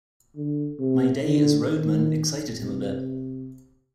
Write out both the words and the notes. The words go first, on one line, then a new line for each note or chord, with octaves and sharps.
My day as roadman excited him a bit.
D3
C3
D3
D#3
C3